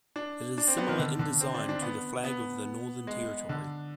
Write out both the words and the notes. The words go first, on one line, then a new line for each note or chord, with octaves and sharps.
It is similar in design to the flag of the Northern Territory.
D4
D4
C4
B3
D#3
D3
D3
C4
D4
D4
B3
B3
G#3
D3